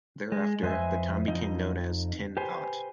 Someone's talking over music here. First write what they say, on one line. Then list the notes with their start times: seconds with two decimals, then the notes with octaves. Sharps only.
Thereafter, the town became known as "Tin 'At".
0.32 G#3
0.63 F2 B4 C5 D#5 E5 G#5
1.28 F2 F3 D#4 D#5
2.37 G4 B4 C5 G#5